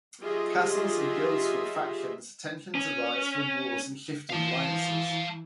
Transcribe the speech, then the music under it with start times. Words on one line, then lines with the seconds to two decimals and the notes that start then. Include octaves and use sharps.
Castles and Guilds form factions; tensions arise from wars and shifting alliances.
0.21 F#3 F4 G4 G#4 D#5 E5
2.75 C#4
4.30 E3 F5 A5